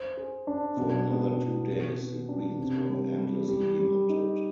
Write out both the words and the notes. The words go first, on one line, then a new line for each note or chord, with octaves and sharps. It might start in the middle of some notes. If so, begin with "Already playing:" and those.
For another two days the greens were endlessly hunted.
Already playing: C5
G#4
D4
B2
B3
B2
B3
B3
D4
C3
G3
G3
G3
G3
D#4